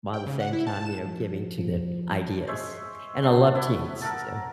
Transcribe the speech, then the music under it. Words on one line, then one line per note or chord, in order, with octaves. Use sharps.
while at the same time, you know, giving to the ideas, and I love teams, so
G5
C#3
F#5
E4
A5
E7
F3
F3
G#3 C5 C#5 E5
G#2 D4 C5 F#5
B3 E4 C#5 E5
A#4 E5 F#5 A5